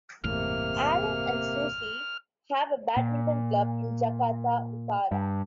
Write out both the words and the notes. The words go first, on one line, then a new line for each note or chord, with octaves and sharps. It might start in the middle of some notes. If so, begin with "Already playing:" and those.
Alan and Susi have a badminton club in Jakarta Utara.
G1 E2 A2 C3 A#3 F6
A#2
G2